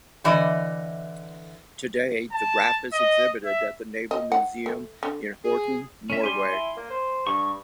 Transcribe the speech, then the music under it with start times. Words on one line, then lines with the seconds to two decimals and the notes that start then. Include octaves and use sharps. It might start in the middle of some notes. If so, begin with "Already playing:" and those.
Today, the "Rap" is exhibited at the Naval Museum in Horten, Norway.
0.24 D3 E3 D5 D#5
2.32 A5
2.93 D#5
3.45 E5
4.11 D#5
4.32 F#5
4.66 A3
5.03 D3
5.44 G#4
6.10 C#4 E5
6.23 G3 G#5 C6
6.53 E4
6.77 A#3
6.90 C5
7.27 G2 C#6